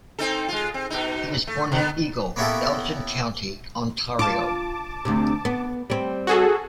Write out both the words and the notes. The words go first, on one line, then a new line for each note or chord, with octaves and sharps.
He was born in Eagle, Elgin County, Ontario.
C4 D#4 A4
G#3 F4
C4
B2 D#4
A3
D3 B3
A#3 B3 C#4 E4 G4 A4
F4 A5 D6
D2 C3
B3
G3 C4
F#4 G#4 A4